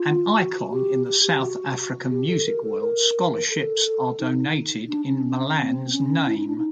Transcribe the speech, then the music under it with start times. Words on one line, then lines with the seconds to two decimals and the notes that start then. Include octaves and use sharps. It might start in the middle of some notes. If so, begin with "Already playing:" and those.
An icon in the South African music world, scholarships are donated in Malan's name.
Already playing: F4
0.37 F#4
0.71 G4
1.07 G4
1.23 G4
1.41 F#4
2.10 G4
2.28 A4
2.45 A#4
2.63 A4
2.80 A#4
3.50 A4
4.19 D#4
4.88 D4
5.06 C#4
5.58 C4
5.93 C#4
6.27 E4
6.38 D#4
6.47 D4
6.57 D#4